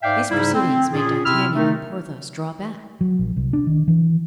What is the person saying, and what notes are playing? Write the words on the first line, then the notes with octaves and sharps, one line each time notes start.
These proceedings made D'Artagnan and Porthos draw back.
G#2 D5 E5 F5 G5
G#2 C#3 G3 D#4 E4
C4
A#2 C#4 F4 G#4
C3 C4 E4 E6 F6
D#3 A3 D#4
F#3
A#1
C2
D4
D#3
E3